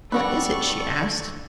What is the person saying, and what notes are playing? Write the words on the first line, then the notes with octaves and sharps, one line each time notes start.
"What is it?" she asked.
F2 G3 D4 F#4 A4 B4 D5 C#6